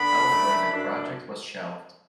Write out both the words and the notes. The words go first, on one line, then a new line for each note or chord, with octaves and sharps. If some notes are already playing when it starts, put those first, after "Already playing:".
However the project was shelved.
Already playing: D3 B3 D4 B5
F#2 E3 A3 D4
F#2 E3 D4